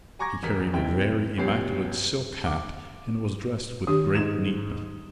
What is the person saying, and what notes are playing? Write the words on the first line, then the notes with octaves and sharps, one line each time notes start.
He carried a very immaculate silk hat and was dressed with great neatness.
G#5 A#5 C#6 D6 G#6 A#6
E1 A#4 B6
F#1 C3 E4 G5
F1 C#2 B2 C#4 G4 C7
D6
D#3 D4 G4 D#6
G#2 G#6 E7